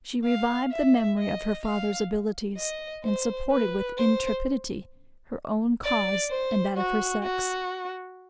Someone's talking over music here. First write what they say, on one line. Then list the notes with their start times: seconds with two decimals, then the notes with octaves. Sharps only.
She revived the memory of her father's abilities, and supported with intrepidity her own cause and that of her sex.
0.25 F5
0.71 E5
1.18 D#5
1.64 F5
2.58 D#5
3.04 C5
3.51 B4
3.97 C5
5.84 D5
6.30 C5
6.76 F#4
7.23 F#4